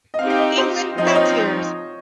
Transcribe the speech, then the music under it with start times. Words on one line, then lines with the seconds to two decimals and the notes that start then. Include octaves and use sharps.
"England Without Tears".
0.14 D#5
0.19 C4 D#4 G4 F5
0.30 F5
0.39 D#5
0.58 C5
0.98 F3 C4 D#4 D#5
1.07 C#5
1.15 D#5